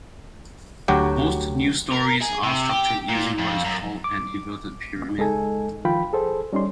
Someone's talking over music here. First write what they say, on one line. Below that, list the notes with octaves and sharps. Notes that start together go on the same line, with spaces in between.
Most news stories are structured using what is called an inverted pyramid.
D2 F#3 F#4 G4 G5
A#4
G#4
C3
G4
A#2
F2
F#2
D6
C#2 G#3 D#4 A4 G#5
D#3 F3 F4 G5 B5
G#4 A4 C5
G3 C#4 D#4 D5 C6